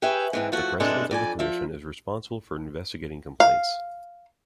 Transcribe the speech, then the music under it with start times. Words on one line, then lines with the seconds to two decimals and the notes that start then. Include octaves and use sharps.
The President of the Commission is responsible for investigating complaints.
0.02 G4 G#4 B4 C#5 E5 G5
0.33 G#2 E3 C4
0.52 F3 A3 F#4
0.80 G2 C3 G#3 D4 A4
1.11 F2 D5 G#5
1.39 F3 E5
3.40 F5